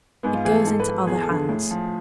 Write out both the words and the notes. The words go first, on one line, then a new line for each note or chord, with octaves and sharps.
"It goes into other hands."
G#2 B3
F4
E3 G#4
A4
G#2 A4
B4
F3 A4
E2 G#4
A4
D3 F3
G#4
A2
F3